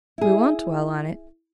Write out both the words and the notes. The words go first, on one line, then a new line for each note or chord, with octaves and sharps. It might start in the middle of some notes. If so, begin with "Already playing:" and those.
We won't dwell on it.
E4 G#4